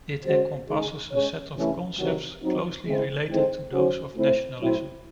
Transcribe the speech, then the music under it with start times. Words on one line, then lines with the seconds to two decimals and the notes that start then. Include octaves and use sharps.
It encompasses a set of concepts closely related to those of nationalism.
0.24 G#3 C#4 F#4 C5
0.68 C#3 G#3 D#4 G#4
1.12 G#3 C#4 G#4 C#5
1.54 C3 E3 A3 C#4 E4
1.98 C3 D#3 F#3
2.42 F#3 C4 D#4
2.85 C#3 G#3 C4 E4 C5
3.28 E3 G#3 C4 D#4 A4
3.72 D#3 F#3 C#4 F#4 C5
4.16 A3 C4 E4 C5
4.59 A2 F#3 C4 E4 C5